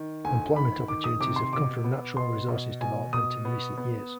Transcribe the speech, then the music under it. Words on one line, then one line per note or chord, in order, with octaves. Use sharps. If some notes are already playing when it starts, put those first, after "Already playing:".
Employment opportunities have come from natural resources development in recent years.
Already playing: D#3
D2 G#5
D#3 B5
D#3 D6
D#6
C3 D6
C6
B2 D6
B3
B2 C6
B2
B2 G#5
B2 D#6
B3
B3